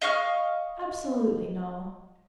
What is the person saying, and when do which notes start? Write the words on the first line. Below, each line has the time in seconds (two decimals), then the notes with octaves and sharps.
"Absolutely no."
0.02 D#5 F5 C#6 F6